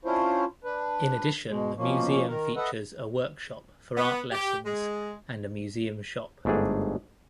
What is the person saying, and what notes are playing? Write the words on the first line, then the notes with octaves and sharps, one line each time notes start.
In addition the museum features a workshop for art lessons and a museum shop.
C#4 D4 E4 F4 C5
D4 B4
B2 G#3
B2 F3 A#3 C#4
D#3 A#4
A4 B4 D#5 E5 F#5
B3
G4
G#3
G1 G#2 A3 D4 G#4